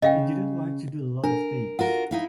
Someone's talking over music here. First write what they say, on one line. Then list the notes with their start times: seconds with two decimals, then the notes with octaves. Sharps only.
He didn't like to do a lot of takes.
0.02 C#3 D#5 F5 G5
1.24 D4 A#4
1.79 F4 F#4 A#4 F#5
2.11 D#4 E4 F5